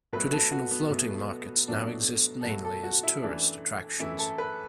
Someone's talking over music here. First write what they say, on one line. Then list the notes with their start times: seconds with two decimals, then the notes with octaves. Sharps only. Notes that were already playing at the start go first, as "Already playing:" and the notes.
Traditional floating markets now exist mainly as tourist attractions.
0.13 B2 F#3 A3 B4
0.32 A4
0.52 F#4
0.71 B3
0.90 B2 F#3 A3
1.68 B2 F#3 A3 D4
2.41 A4
2.45 B2 F#3 A3 F#4
2.65 A4
2.84 F#4
3.03 E4
3.22 F#2 E3 A3 D4
3.99 F#2 E3 A3 E4
4.19 A4
4.38 B4